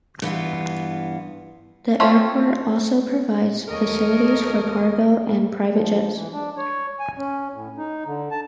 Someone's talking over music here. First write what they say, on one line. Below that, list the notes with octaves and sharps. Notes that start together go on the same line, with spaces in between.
The airport also provides facilities for cargo and private jets.
G2 E3 B3 F4
A3 C4 C#4 F4 A4
D#2 F#3 A4 A#4 C#5 D#5
F3
E3
D4
C#5
G#5
C#4
A2
D#4
D3
A5